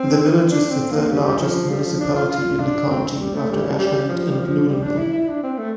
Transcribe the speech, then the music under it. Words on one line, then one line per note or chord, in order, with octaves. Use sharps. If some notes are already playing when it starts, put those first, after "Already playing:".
The village is the third largest municipality in the county after Ashland and Loudonville.
Already playing: C4
D4
C4
A#3
G3
F3
G3
F3
D4
F4
F4
D4
C4
G3
A3
G3
G3
F3
G3
F3
G3
D4
E4
E4
D4
C4
A3